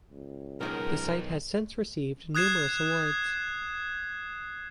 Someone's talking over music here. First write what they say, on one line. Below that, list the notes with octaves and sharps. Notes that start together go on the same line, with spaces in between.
The site has since received numerous awards.
C#2
B1 A#2 D#3 G#3 A#4
D#6 F#6 G#6 C7 E7